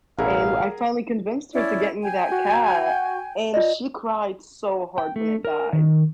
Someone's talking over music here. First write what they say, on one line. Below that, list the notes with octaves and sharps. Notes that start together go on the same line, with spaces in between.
and I finally convinced her to get me that cat, and she cried so hard when it died.
A1 B2 E4 G#4 A#4 F5 F#5
C#4 E4 D5
G5 G#5
F#4
F4 D5 D#5
G5
A3
A#4
D#3